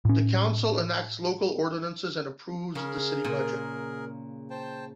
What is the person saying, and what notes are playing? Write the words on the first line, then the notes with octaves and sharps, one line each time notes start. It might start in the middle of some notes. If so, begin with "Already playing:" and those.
The council enacts local ordinances and approves the city budget.
A2 C#4
C#3 G#4 A#4
A#2
C5 G5 A5